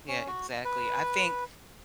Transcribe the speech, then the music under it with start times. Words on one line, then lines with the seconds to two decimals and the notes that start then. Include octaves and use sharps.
Yeah, exactly. I think
0.08 C#4
0.27 F#4
0.65 B4